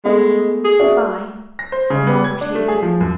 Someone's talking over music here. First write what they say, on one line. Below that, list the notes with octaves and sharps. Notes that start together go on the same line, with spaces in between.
'Good-bye!' said Margaret, hastily.
G#3 A3 B3 D#5
G#4
F#4 D5 E5
A#6
C5
C#3
B3
G#6
D4
A3
G#4
F3
F#2